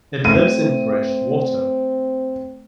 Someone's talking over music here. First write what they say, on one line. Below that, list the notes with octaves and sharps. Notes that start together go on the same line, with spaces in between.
It lives in fresh water.
A3 C4 D#7